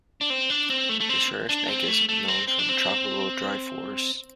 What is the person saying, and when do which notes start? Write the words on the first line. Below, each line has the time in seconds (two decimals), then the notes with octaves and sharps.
This rare snake is known from tropical dry forests.
0.21 D4
0.30 C4
0.50 D4
0.70 C4
0.89 A3
1.00 A3
1.09 C4
1.49 D4
1.69 C4
1.88 A3
2.09 A3
2.28 C4
2.48 C4
2.59 D4
2.69 C4